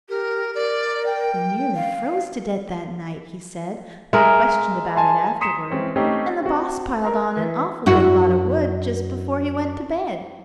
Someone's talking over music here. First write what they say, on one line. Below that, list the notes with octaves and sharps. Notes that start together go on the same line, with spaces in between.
"We nearly froze to death that night," he said, when questioned about it afterward, "and the boss piled on an awful big lot of wood just before he went to bed."
G4 A#4
A#4 D5
G5
F5
G#3 A#4 E5
G#5 A5 C6
A#5 C6 D#6 B6 C#7 E7
E3 G#3 C4 C#4
A3 C4 C#4 D#4 G4 C5
C4 F#4
A#4 A#5
E3
F#2 E4 F#4